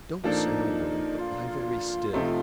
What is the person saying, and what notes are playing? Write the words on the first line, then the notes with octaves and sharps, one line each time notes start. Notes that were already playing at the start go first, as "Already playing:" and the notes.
"Don't say a word, but lie very still."
A#2 F3 A#3 D4 D#4 A4
F4
C3 F3 A3 D#4